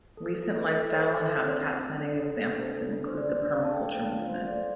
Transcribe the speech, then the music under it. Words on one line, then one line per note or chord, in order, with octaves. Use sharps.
Recent lifestyle and habitat planning examples include the permaculture movement.
A4
A4
A4
A4 C5
A4
C4
C4
A4
A4
D4
A4
D4
C5
D4 D5
D5
D4
F5
A4 A5
G5
D4 F5
F5
F4
C5
A4 C5
D5